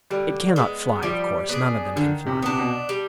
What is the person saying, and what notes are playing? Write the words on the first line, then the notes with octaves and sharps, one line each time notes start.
It cannot fly, of course: none of them can fly....
D3 G3
G#3 B3
F3 G3
B3 D4 G#4
D3 D#3
C3
C3 B3 D4
B2
G3